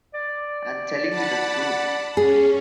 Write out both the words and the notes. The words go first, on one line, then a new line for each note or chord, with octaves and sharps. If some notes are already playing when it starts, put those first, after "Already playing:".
I am telling you the truth.
D5
F#5 A5 B5
C#4 G#4